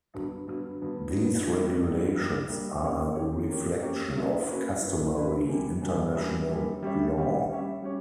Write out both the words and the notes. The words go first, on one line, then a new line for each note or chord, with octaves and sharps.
These regulations are a reflection of customary international law.
G2 D3 F#3 B3
G2 D3 F#3 B3
G2 D3 F#3 B3
G2 D3 F#3 B3
G3 A#3 D4
G3 A#3 D4
G3 A#3 D4
G3 A#3 D4
A#3 C#4 G4 C#5
A#3 C#4 G4 C#5
A#3 C#4 G4 C#5
A#3 C#4 G4 C#5
F#3 A#3 C#4 E4 B4
F#3 A#3 C#4 E4 B4
F#3 A#3 C#4 E4 B4
F#3 A#3 C#4 E4 B4
F#2 D3 G3 A#3
F#2 D3 G3 A#3
F#2 D3 G3 A#3
F#2 D3 G3 A#3
G3 C#4 G4 C#5 E5
G3 C#4 G4 C#5 E5
G3 C#4 G4 C#5 E5
G3 C#4 G4 C#5